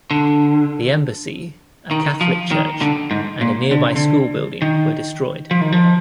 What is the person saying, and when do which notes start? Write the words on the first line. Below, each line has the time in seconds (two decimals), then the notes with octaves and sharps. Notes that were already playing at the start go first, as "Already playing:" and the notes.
The embassy, a Catholic church, and a nearby school building were destroyed.
0.11 D3
1.91 D#3
2.21 F3
2.51 D#3
2.81 D3
3.11 G#2
3.41 A#2
3.71 D3
3.84 C3
3.96 D3
4.62 D#3
5.51 F3
5.61 D#3
5.72 F3